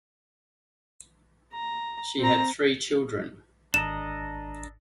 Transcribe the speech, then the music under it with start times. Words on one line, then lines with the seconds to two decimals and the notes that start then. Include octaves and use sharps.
She had three children.
1.54 A#5
2.19 C4 A#5
3.74 G#1 D4 A4 D#5 A#5 E7